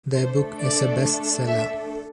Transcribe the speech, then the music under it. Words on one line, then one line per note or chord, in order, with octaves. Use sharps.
Their book is a best seller.
A3 D4 A4 C5
D5
E5